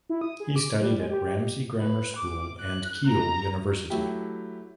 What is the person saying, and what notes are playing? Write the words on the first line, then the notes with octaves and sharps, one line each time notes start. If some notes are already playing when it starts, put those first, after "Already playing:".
He studied at Ramsey Grammar School and Keele University.
E4
D#6
G#4
D6
G3
G#3
G4
B4
D6
F#6
A#5
F#3 A3 E4 G4